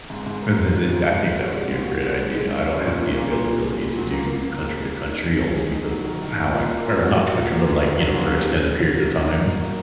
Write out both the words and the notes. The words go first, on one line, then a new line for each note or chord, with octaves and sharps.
Listen they'd I think that would be a great idea. I don't have the availability to do country to country only because of how I'm er, not country, but, like, you know, for extended periods of time,
G#2
G#2
A#3
G#2
G#2
G#2
G#2
C#3
F#4
G#3
D#2
F#4
C#3
G#3
G#3
C#4
C#4
A#2
A#2
A#3
A#2
A#2
A#2
C#3
F#3
A#3
A#3
A#3
C#2
C#3
A#3
D#4
G#4
D#3
G#4
D#4
F#3
D#3
D#3
A#3
A#2
A#3
A#2
F#4
F#4
A#2
A#3
D#2
F#3
F#3
D#2
C#3
C#3
C#3
F#3
A#3
F#3
A#3
F#3
A#3